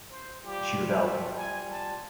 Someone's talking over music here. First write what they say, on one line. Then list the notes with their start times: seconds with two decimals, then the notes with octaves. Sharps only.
She rebelled.
0.11 C5
0.44 G3 F4 G4
0.95 A3
1.36 G#5
1.70 A5